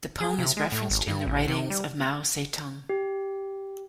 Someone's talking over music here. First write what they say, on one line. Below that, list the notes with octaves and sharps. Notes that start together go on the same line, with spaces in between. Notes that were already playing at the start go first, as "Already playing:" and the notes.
The poem is referenced in the writings of Mao Zedong.
G#4
C3
G#3
A2
G#1
G2
A1
C3
G3
G4